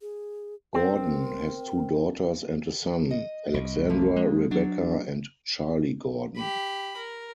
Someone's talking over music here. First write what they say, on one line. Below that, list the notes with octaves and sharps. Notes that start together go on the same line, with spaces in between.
Gordon has two daughters and a son, Alexandra, Rebecca, and Charlie Gordon.
G#4
C4 A#4
D#5
C2
F3 A3 A#3
G#3
F#3 D4
G4 B5
A#4